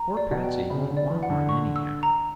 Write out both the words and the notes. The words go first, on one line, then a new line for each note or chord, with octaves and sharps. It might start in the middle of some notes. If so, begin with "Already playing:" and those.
Poor Patsey won't want one, anyhow.'
Already playing: A#5
D5
B2
G5
C#3 B5
D3
D5
E3
F#5
D3
C#6
E6
A#5